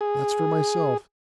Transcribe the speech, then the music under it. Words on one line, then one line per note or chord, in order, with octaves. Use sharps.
That's for myself.
G#4